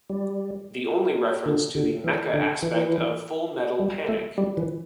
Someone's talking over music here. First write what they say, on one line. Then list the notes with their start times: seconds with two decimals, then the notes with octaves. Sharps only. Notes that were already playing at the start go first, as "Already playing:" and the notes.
The only reference to the mecha aspect of Full Metal Panic!
0.10 G3
1.46 D3
1.75 D3
2.04 E3
2.33 D3
2.63 E3
3.80 G3
4.09 A3
4.38 G3
4.57 E3